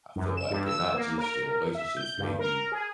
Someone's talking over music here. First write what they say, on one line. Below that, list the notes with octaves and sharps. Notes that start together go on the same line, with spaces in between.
I felt like, and not just in relationships, maybe
F#2
E7
G2
E6
A#3
A#4
E5
G6
G2
A#4
G#4